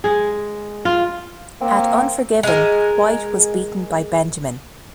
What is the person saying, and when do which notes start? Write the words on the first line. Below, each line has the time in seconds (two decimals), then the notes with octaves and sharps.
At Unforgiven, White was beaten by Benjamin.
0.04 G#3 G#4
0.85 F4
1.61 A#3 C4
2.43 G#3 A#4